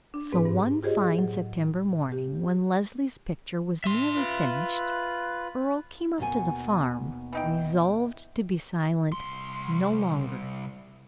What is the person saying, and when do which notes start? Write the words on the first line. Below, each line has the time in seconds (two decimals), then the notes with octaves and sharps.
So one fine September morning, when Leslie's picture was nearly finished, Earle came up to the farm, resolved to be silent no longer.
0.14 D4
0.33 G#2 C4 B4
0.45 G2
0.83 F4 G4 G#4 C5 C#5 D#5
1.18 A2 F#3
2.12 G4
3.84 E5 C6
4.16 F4 B4 F#6
6.18 D#2 B2 G#5
7.33 E3 D#4 G5
9.12 C2 C6